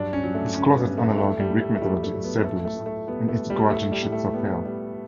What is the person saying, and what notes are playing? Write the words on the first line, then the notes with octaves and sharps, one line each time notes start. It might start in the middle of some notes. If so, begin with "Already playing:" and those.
Its closest analogue in Greek mythology is Cerberus, in its guardianship of hell.
Already playing: G2 F#3 D4
C#4
F#3
A3
D3 C#4
B3
G2
A3
A2 A3
G3
A2
A3
A3
F#3 G3
G3
A3
F#3
B3
A2 A3
A3
A2
A3
G3 B3
A3
G3
G3
A2 A3
G3
A2
A3
G3 B3
G3